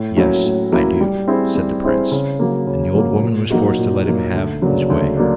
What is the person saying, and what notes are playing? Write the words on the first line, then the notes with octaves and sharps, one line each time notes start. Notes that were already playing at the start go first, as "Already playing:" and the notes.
'Yes, I do,' said the prince, and the old woman was forced to let him have his way.
Already playing: A2
F#3 A#3 C#4 E4
A2
F#3 A#3 C#4 E4
G3
C4 E4 G#4 C5
G3
C4 E4 G#4 C5
C#3
F#3 A#3
C#3
F#3 A#3
A#2
F#3 A#3 D#4 F#4
A#2
F#3 A#3 D#4 F#4
D2
C#3 F#3 A#3 D4
D2
F#3 A#3 D4